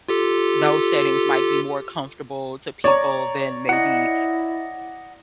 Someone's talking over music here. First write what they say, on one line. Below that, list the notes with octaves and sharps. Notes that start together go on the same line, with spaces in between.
those settings might be more comfortable to people than maybe
F4 G4 A4
C#5 D5 A#5
E4 D#5 F#5